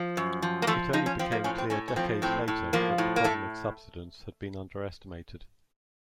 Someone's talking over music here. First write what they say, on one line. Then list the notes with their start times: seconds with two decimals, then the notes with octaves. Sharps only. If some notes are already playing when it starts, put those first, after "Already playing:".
It only became clear decades later that the problem of subsidence had been underestimated.
Already playing: F3
0.17 F#2
0.42 F3
0.62 A#3
0.67 F3 A3
0.93 F3 D#4
1.06 C#4
1.19 F3 C4
1.32 A#3
1.44 A2 C#4
1.58 C4
1.70 A2 C#4
1.88 C#4
1.96 F3 C4
2.22 A2 C4
2.48 A2
2.73 F3 A#3
2.98 A2
3.16 A#3
3.24 A2 A3